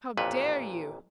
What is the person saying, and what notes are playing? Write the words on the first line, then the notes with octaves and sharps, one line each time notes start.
How dare you?
A1 F2 A#2 B4